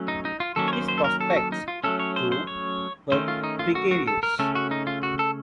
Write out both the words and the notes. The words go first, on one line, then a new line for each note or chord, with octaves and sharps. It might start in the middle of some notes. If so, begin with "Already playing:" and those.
His prospects, too, were precarious.
Already playing: F#3 A3 C#4
D#4
D#4
F4
D#3 F#3 A#3 C#4 A4
C#5
C5
C5
A4
A#4
A4
F#4
A4
D#4
F4
F#3 A3 C#4 A4
C#5
C5
C5
C#5
D#3 A3 C#4 C5
F4
D#4
F4
F#4
F#4
A4
A#4
C#3 A3 C#4 A4
F#4
D#4
F4
F#4
A4